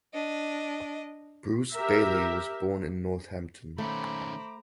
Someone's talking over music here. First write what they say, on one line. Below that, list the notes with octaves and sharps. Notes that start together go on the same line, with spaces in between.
Bruce Bailey was born in Northampton.
D4 D#5
G4 A#4 E5
D#3 A3 C#4 C5 A#5 B5 D6